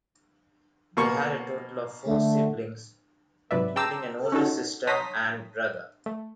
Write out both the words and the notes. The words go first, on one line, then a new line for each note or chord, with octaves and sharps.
They had a total of four siblings, including an older sister and brother.
B2 A#3 C#6
D3 A3
G#2 C3 F#3 B4 D5 E5
G5 A5 A#5 C6 D6 E6
C#4 D#4 F#4 A4
C#5 A5 A#5 C6 D#6 B6
A3